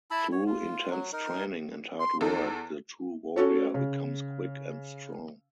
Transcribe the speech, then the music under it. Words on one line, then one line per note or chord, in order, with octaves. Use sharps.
Through intense training and hard work the true warrior becomes quick and strong.
E4 A5 B5 E6
C#5
F4
F#3
D#4 A#4
C6
E2 D#4 A4
C#4 F#4 A4 C#5
C#3